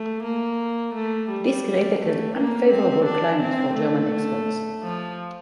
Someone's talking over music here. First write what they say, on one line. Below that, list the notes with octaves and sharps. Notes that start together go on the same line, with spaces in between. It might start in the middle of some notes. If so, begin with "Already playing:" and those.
This created an unfavorable climate for German exports.
Already playing: A3
A#3
A3
G3
A3
A#3
C4
D4
C4
A3
F3